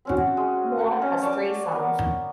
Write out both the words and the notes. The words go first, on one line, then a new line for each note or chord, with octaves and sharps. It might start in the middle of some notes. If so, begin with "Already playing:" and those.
Moore has three sons.
C4 C#4 F#4
G#3
F#5 G5
C#4 D#5
C#5 D5 A5 D6
B3 A#4